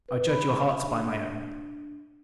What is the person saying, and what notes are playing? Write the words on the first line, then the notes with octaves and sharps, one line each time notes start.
I judge your hearts by my own.
B4
B5
D4